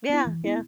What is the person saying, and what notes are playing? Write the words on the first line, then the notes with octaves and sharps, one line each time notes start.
Yeah, yeah.
B3 E4
E3
B3 E4